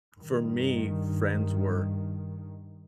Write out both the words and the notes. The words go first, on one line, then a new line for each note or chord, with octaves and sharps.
for me, friends were,
G2 D#3